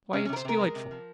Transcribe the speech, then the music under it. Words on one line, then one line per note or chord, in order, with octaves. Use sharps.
Why, its delightful!'
C3 C#4
C#4
C3 A#4
C5
C3 A#4
G#3
C3
F3